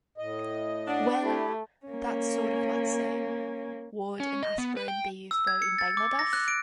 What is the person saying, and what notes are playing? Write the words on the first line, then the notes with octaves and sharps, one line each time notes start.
Well, that's sort of like saying, 'Would an aspirin be useful in Bangladesh?
A2 D#5
D4 F#5
A3 E4 G4
A#3 C#4
C#4
D#5
B3
B4
G5
E6
G#6
C#7
A6
D6
A#6
F#6
D7